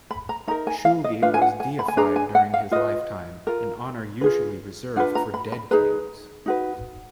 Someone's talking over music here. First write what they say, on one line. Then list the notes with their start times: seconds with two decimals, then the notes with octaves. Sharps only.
Shulgi was deified during his lifetime, an honor usually reserved for dead kings.
0.11 B5
0.29 A#5
0.47 D#4 A#5
0.51 A#4
0.67 G#5
0.85 F5
1.04 D#5
1.22 D4 F4 B4 F5
1.34 G#5
1.41 F#5
1.60 G#5
1.79 B5
1.88 G#5
1.97 D4 G#4 B4 A#5
2.16 G#5
2.35 F#5
2.54 F5
2.71 F4 B4 D#5
3.47 F4 A#4
4.21 F4 G#4 B4
4.96 D4 F4 B4 F#5
5.15 A#5
5.34 B5
5.52 B5
5.71 D#4 G#4 B4 A#5
6.46 D#4 F#4 B4